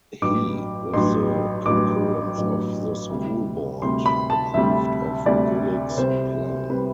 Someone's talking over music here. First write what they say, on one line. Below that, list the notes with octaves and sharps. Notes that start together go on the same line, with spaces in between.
He, with the concurrence of the school board, approved of Gulick's plan.
A1 G2 F#3 D6
A1 G2 F#3 C6
A1 G2 F#3 D6
A1 G2 F#3
D2 C3 G3
D2 C3 G3 C6
B5
A5
D2 C3 G3 E5
D2 C3 G3 D5
B4
C2 C3 G3 C5
C3 G3 B4